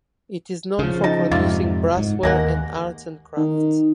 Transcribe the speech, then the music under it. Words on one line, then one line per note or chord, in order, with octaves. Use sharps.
It is known for producing brassware and arts and crafts.
C#3 F3
D#4 A5
F2 G#2 C3 F4 D5 E5
G#2
D#2 G#3 A#3 F#5
D#3